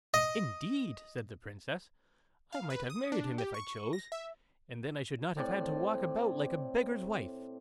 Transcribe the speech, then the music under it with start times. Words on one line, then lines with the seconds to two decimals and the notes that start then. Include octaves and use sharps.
'Indeed!' said the Princess; 'I might have married him if I chose, and then I should not have had to walk about like a beggar's wife.'
0.14 D#5
2.52 F5
2.70 B4
2.90 D#6
3.12 D4
3.38 G4
3.54 C#6
3.93 A#6
4.12 E5
5.37 A2 C4 D5